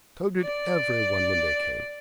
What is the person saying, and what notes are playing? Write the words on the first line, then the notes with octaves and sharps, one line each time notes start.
So did every one when they came.
D5